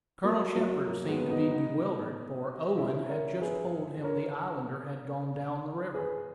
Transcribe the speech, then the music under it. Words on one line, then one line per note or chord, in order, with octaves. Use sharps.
Colonel Shepard seemed to be bewildered, for Owen had just told him the Islander had gone down the river.
F#3 A#3
F#3 A#3
F#3 A#3
G#3 B3
B3 D#4
B3 D#4
C#4 E4
A#4 C#5
G#4 B4
A#4 C#5
G#4 B4